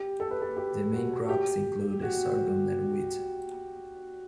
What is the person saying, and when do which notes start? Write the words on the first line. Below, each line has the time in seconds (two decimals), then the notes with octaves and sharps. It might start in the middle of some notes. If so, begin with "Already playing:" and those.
The main crops include sorghum and wheat.
Already playing: G4
0.20 A4
0.31 B4
0.42 A4
0.57 G4
0.93 F#4
1.29 G4
2.02 F#4